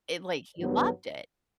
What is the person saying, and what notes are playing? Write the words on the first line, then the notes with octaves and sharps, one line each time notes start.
it like he loved it!
G2 D#3 F#3 B3